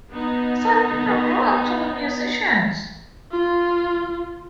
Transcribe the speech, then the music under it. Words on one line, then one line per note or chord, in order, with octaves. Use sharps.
Some people grow up to be musicians.
B3 D#4
F4